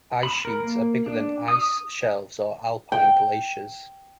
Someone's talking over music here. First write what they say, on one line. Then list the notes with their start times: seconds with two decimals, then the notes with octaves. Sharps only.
Ice sheets are bigger than ice shelves or alpine glaciers.
0.23 B5
0.45 A#4
0.63 A#3
1.06 D4
1.48 D#6
2.92 G5